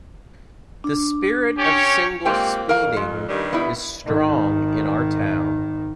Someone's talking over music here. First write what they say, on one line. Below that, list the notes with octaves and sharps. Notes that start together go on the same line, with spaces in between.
The spirit of single speeding is strong in our town.
D4
C#4 G4 C#5
A#2 G#3 A#3 C4 G4 G5
F2 A#4 F5
G#3
G2 D#3 G3
B3 E4
G#1 D#3